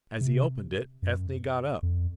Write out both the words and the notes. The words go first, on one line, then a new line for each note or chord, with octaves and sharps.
As he opened it, Ethne got up.
C3
F#2
F2